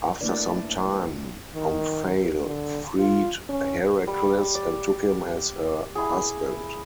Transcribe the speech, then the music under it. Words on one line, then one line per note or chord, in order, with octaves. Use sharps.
After some time, Omphale freed Heracles and took him as her husband.
A3 A#3 D4 E4 B4 D5
D#3
D3
F4
C#4
G3
D5
E4 G#4